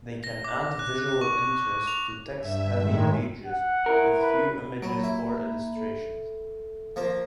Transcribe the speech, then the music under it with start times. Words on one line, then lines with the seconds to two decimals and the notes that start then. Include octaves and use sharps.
They can add visual interest to text-heavy pages with few images or illustrations.
0.24 A#6
0.44 D6
0.79 F#6
0.98 F#6
1.21 C#6
1.87 F7
2.39 G2 E5
2.79 A2 D#3 G#3
3.46 F#5
3.86 E4 A#4
4.20 B4
4.82 F#3 A#3 B5
5.04 E4
5.75 A4
6.96 F3 A#3